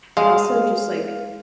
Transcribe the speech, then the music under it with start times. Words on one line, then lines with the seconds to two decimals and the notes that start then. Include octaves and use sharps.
And also just like,
0.17 G#3 F5